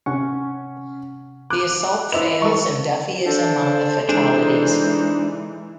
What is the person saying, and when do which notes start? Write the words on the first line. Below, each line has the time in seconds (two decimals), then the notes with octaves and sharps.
The assault fails and Duffy is among the fatalities.
0.06 C3 C#4 F#5 C#6
1.50 D6 F#6
2.12 E4 B4 C5 D#5 E5 F7
2.42 G3 G#3 A4 C#6
3.26 D4 A4 C5 A5
4.09 E3 G#3 D4 D#4 G#4